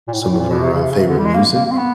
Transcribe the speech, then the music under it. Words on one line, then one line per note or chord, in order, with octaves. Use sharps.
some of our, uh, favorite music,
A#2
A2
A#2
A2
A#2
B2
C3
C#3
C3
C#3
C3
D3
G3
G#3
A#3
A#3
A#3
C4
B3